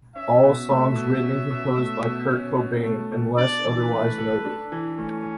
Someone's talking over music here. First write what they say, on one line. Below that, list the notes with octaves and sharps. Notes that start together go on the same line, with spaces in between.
All songs written and composed by Kurt Cobain unless otherwise noted.
C#4 E5
B2
A3
B2
C#4
B2
A3
B2
C#4
B2
A3
B2
D4 D5
E3
B4
A3
A4
D4
E3
A3 C#4